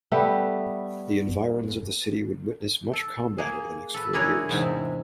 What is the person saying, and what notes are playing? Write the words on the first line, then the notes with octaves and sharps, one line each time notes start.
The environs of the city would witness much combat over the next four years.
G3 A3 B3 E5
A4
A#3 G#4
A4 B4
D4 E4 G#4 A#4 C#5
E2 G#2 C3